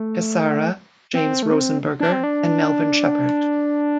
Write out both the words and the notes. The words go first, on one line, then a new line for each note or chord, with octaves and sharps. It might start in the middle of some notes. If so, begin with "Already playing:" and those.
Cassara, James Rosenberger and Melvin Sheppard.
Already playing: A3
C4
A3
C4
D4
C4
D4